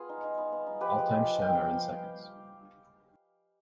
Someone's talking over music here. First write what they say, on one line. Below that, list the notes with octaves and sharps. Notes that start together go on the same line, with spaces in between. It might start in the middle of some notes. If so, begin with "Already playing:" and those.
All times shown are in seconds.
Already playing: B3 F4 G#4
D#4
D#4
B3
B3
D#4
F3 G4 B4
G#3
F3
F3
F3 G5
F3 F5